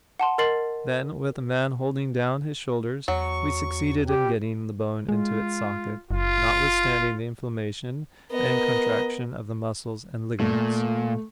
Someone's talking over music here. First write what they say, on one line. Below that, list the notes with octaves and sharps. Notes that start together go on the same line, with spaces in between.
Then, with a man holding down his shoulders, we succeeded in getting the bone into its socket, notwithstanding the inflammation and contraction of the muscles and ligaments.
F#5 A5 C6
A#4 D#5 C6 A6 C7 F#7
E2 F#3 C#6
G3 G4
G#3 F4
F#1 F4
B3 A#4 D#5
A#2 A3